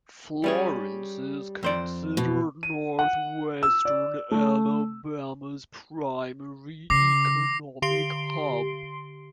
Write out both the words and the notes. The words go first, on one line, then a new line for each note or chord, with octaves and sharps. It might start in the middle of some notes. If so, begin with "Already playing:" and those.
Florence is considered northwestern Alabama's primary economic hub.
G3 C#4 G#4
F2 C5 D5
B2
D#7
F#5
E6
D5
A3
C#3 D6 A#6 C7
D3 G4 C6 C7 D7 G7